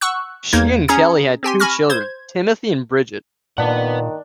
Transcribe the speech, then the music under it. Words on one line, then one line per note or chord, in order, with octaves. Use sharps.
She and Kelly had two children, Timothy and Bridget.
F#5 C#6 E6 F#6
E2 A#3 D#4 G#6
C#4 G#4 A#5 D#6 G#6 C#7
C4 G4 G#5 C6
G#5 B5 C#6 F6 A#6
C5 G#6
A#2 D#3 D4 B4 F#5